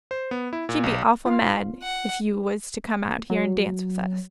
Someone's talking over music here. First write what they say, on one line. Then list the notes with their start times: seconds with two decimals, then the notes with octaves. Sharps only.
"She'd be awful mad if you was to come out here and dance with us."
0.11 C5
0.31 B3
0.53 E4
0.69 A#2
0.84 B1
1.26 F4 F5
1.83 F#5
3.30 F#3